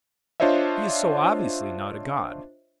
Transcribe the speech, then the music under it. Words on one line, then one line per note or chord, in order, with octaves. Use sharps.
He is so obviously not a god.
D4 F4 C5 C#5 D#5 E5